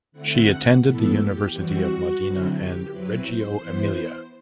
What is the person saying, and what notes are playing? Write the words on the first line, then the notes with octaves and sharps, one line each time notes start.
She attended the University of Modena and Reggio Emilia.
D3 A3 C4 E4 F#5
A2 E3 B3 E4 A4
G4
E3 G3 C4 F#4
D3 F#3 C4 E4
G4
F#3 C4 E4 B4
C5
E3 B3 E4